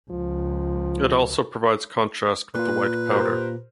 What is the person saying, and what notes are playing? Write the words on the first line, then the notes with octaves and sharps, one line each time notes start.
It also provides contrast with the white powder.
C#2 F3
A#2 F4 B4
G4 A#4 C5